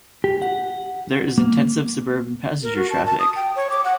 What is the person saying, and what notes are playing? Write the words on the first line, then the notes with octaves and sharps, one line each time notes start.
There is intensive suburban passenger traffic.
G4
F#5
A#3
A#4
F#4
A5
A5
D#6
G5
C#5
D6
F#5